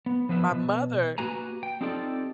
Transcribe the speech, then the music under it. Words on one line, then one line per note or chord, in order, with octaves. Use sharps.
My mother,
B3
F3 B3 B4 E5
B2
A#3 F#4 G4 B4 G#5 A#5
G5
C4 D#4 F4 G4 A4 D5